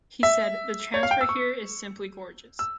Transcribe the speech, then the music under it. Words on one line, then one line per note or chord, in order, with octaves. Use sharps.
He said, the transfer here is simply gorgeous.
E5
C#5
F5
G5
E6
C#6
E6